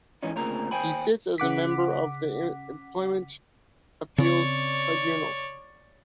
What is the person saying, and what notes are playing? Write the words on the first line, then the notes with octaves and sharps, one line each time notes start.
He sits as a member of the Employment Appeal Tribunal.
G#2 E3 B3 C#4 D#4
D2 A#2 C#3 C4 A#4 A#5
D#2 C5 G5 G#5 B5
C#3 F#5 D6 B6
C#3 C4 C#5 D5